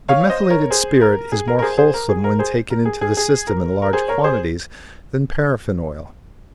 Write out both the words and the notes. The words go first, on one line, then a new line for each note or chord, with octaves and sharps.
But methylated spirit is more wholesome when taken into the system in large quantities than paraffine oil.
C#5 F5
C5 D#5
A#4 C#5
G#4 C5
A#4
G#4
A#4
A#4
G#4 C5
G#4 C5
A#4
G#4
A#4
G#4 C5
A#4
G#4
G#4
G#4
A#4
A#4
G#4 C5
A#4 C#5
G#4 C5